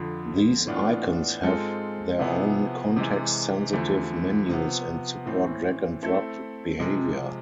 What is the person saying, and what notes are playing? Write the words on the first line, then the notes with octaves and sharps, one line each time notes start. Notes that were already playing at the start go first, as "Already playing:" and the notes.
These icons have their own context-sensitive menus and support drag and drop behaviour.
Already playing: F2 D3 F3
A2 E3 B3 D4 F4
G#2 G#3 C4 F4 A4
C3 F3 B3 E4 G#4
C3 E3 G#3
E2 D3 F3 A3
C3 F3 B3
A2 E3 A3 C4
A3 C4 E4 A4 E5
C3 F3 G#3